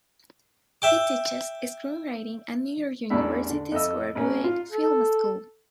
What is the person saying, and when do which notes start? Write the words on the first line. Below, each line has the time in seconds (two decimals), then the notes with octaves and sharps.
He teaches screenwriting at New York University's Graduate Film School.
0.82 E5 G5 D6
3.10 A1 E2 D4 E4 E5
3.50 D3
3.72 F2 A4 D#5 E6
4.15 A1 C#4
4.44 F4
4.72 A4